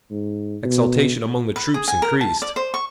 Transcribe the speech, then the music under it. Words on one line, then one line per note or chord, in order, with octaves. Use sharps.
Exultation among the troops increased.
G#2
B2
B4
G#4
G#5
A#4
A5
D5
C5
C#6